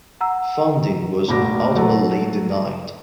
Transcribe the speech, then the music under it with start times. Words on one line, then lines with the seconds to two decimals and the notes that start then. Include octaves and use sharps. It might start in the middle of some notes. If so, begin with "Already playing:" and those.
Funding was ultimately denied.
0.21 F#5 A#5 E6
1.28 F1 A#1 F#4 D6 A#6
1.76 F#3 A3 F#4